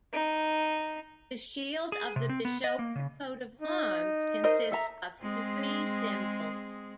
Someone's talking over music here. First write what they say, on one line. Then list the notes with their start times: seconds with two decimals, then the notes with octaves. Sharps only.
The shield of the bishopric coat of arms consists of three symbols.
0.14 D#4
1.92 G#4
2.16 C3
2.29 C4
2.45 B3
2.64 D#5
2.79 A#3
2.96 C#3
3.61 D#4
4.44 A#4 C5 D#5
4.71 A4 E5 A#5
5.22 G#3 C4 G#4